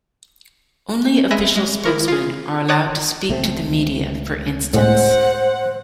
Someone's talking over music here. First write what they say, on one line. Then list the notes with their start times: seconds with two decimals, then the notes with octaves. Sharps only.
Only official spokesmen are allowed to speak to the media, for instance.
1.31 G#3 E5 G#5 B5 F#6 A#6
1.56 G#3
1.84 D#3 E4 A#4 C#6
2.08 F4 G#4
2.68 C#5 D6 D#6 F#6 A6 A#6
3.29 C#2 A3 C4
4.74 A2 G#3 C5 F#5